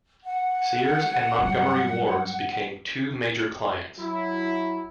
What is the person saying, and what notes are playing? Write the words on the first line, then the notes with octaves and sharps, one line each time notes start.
Sears and Montgomery Wards became two major clients.
F#5
G2 F#3
F#3 E4